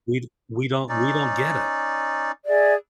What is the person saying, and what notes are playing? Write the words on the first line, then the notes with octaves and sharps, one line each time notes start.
we d we don't we don't get it.
C#4 D#4 D5
G#4 D5 E5